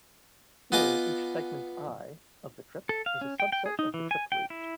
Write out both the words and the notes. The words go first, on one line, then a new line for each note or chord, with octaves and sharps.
Here each segment i, of the trip is a subset of the trip route.
B3 F4 D#5 G#5 D6
A4
F5
C#4
G5
G5
G#4
D#4
E3
G#5
G5
E4